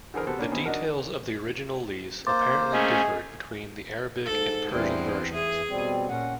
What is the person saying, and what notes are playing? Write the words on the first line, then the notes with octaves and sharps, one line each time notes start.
The details of the original lease apparently differed between the Arabic and Persian versions.
D3 E3 G#4 A#4 C5
C3 B3 F#4 A4 C5
D3 A#3 C#4 D4
B2 D#3 E3 C4 E4
D4 D#4 F#4 A#4
A#3 C5 C6 D6 A6
A3 C#4 G#4 D#5
G#2 A4
E2 G2 E3 G3 C4
E3 G#4 E5
B2 G3 C4
A#2 C#4 F#5